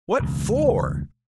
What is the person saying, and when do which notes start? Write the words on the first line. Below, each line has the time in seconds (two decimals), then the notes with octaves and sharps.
"What FOR?"
0.19 E1 C#2